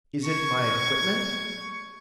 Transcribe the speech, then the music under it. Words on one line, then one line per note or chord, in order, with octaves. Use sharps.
"Is it my equipment?"
C#6 G#6